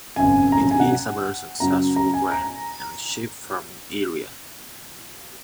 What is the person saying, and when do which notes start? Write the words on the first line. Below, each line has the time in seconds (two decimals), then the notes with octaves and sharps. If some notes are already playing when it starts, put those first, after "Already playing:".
It is a very successful grain and sheep farming area.
0.16 G#1 F#2 C#3 G#5
0.52 A#5
0.71 G#5
0.80 F#5
1.60 F#2 C#3 F#3 A#5
1.96 A#5
2.14 G#5
2.32 A#5